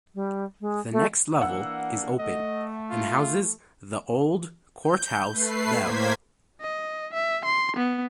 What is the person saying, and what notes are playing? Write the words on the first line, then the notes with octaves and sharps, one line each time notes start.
The next level is open and houses the Old Courthouse bell.
G3
G#3
A3
E3 A#3 D4 F#5 E6
A3 D#5
F4
G6
A3 B4 C7
A2 A#3 C5 G#6 B6
D#5
E5
C6
B3